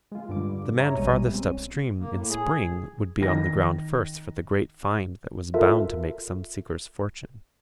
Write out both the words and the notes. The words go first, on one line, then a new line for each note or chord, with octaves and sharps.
The man farthest upstream in spring would be on the ground first for the great find that was bound to make some seeker's fortune.
G#3 F4
G2 D3 G3 D6
C#5 E5 A#5
A#1 B2 G3 G#3 B3 D#7
C4 C#4
A#3
A2
G#4
D#3 A#6
F4 A4 A#4 E5